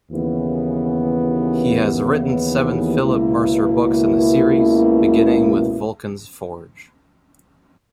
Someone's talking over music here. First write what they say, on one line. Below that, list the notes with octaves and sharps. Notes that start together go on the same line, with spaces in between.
He has written seven Phillip Mercer books in the series, beginning with "Vulcan's Forge".
D#2 C#3 E3 B3
C#2 B2 A#3 E4